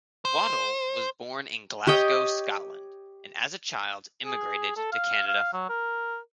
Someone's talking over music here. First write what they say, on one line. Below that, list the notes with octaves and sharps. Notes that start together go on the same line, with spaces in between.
Waddell was born in Glasgow, Scotland, and as a child immigrated to Canada.
C5
G4 C#5 D#5 G5
G#4
A4
F5
F5
F#3
A#4